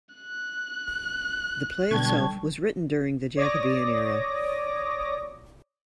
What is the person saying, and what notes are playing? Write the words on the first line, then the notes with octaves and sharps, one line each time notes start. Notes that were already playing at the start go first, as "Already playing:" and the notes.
The play itself was written during the Jacobean era.
F#6
B2 D3 G3 A5 C#6 G#6
C#5 D5 D6 D#6 A#6